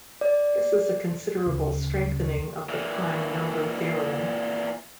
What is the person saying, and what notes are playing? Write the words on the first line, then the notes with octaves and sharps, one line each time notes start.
This is a considerable strengthening of the prime number theorem.
D5
D2 C#3
A#2 E3